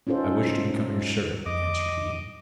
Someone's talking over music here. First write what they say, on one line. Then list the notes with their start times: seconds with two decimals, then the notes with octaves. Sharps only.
'I wish to become your servant,' answered he.
0.07 C#4 D#4 F4 A4 C5
1.46 F2 D#5 D6